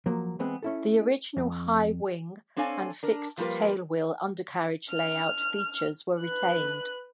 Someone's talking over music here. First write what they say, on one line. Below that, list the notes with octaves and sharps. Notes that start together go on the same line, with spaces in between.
The original high-wing and fixed tailwheel undercarriage layout features were retained.
F3 F#3 A#3
E3 G#3 B3 C4 G#4
C#4 E4 A4
F2
C4 D4 A4 C#5 F5 G#5
D4 A#4
F3 G3 A#3 F4 A#4 B4
F6
B4 F#6